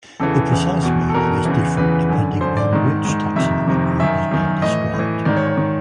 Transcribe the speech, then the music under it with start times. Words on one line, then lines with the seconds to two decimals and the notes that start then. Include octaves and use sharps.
The precise meaning is different depending on which taxonomic group is being described.
0.20 E2 C#3 E3 A4
0.51 E2 C#3 E3
0.83 E2 B2
1.09 A4
1.14 E2 B2 A#4
1.45 E2 C#3 E3
1.77 E2 C#3 E3 B4
2.09 F#2 D3
2.40 F#2 C5
2.45 D3
2.57 D5
2.72 G#2 D#3
3.05 G#2 D#3
3.36 F2 C3 D#3 E5
3.68 F2 C3 D#3
3.99 F#2 D#3 E5
4.31 F#2 D#3
4.62 A2 E3 D#5
4.94 A2
4.99 E3
5.25 G#2 D#3 D5
5.36 C#5
5.47 C#5
5.57 D#3